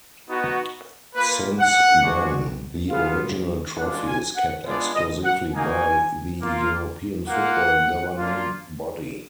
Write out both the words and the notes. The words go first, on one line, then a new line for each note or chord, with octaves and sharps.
Since then, the original trophy is kept exclusively by the European football governing body.
B3 D#4 F#4
A#3 F4 B4
F#5
G#3 D4 F#4
B3 F4 F5
G#3 D4 F4 F#5
G#5
F#5
G#3 B3 D4 F4 D5
D#5
F#5
A#3 D#4 F#4 G#5
A#3 F4
A#3 F4 F#5
A#3 D4 F4